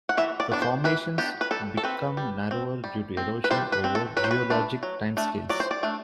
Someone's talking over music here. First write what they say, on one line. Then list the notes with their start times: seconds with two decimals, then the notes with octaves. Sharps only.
The formations become narrower due to erosion over geologic time scales.
0.09 F#5
0.17 E3 E5
0.40 D5
0.52 B3 D4
0.62 C5
0.84 E3 B4
1.18 B3 D4 G4
1.41 B4
1.51 G3 A4
1.77 A4
1.84 C4 B4
2.17 G3
2.51 C4
2.84 G3
3.17 C4
3.44 B4
3.51 G3 C5
3.72 B4
3.84 C4
3.95 A4
4.17 F#3 B4
4.24 C5
4.31 B4
4.50 A3 D4
4.83 F#3
5.17 A3 D4
5.49 F#3 D5
5.60 C5
5.71 D5
5.83 A3 D4